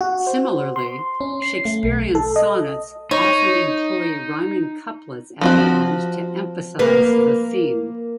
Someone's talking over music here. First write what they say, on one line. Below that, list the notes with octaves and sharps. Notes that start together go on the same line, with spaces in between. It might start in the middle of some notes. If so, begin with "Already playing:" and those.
Similarly, Shakespearean sonnets often employ rhyming couplets at the end to emphasize the theme.
F#4
C5
C6
C#4
C7
A3
B1
A4
D#5
D#4 C#5
F3 C4 F#4
A#3 B4